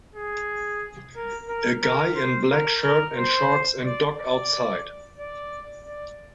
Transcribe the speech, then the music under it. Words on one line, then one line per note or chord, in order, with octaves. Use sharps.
A guy in black shirt and shorts and dog outside.
G#4
A#4
A#4
A#4
C5
A#4
A#4
C5
D5
D5
D5
D5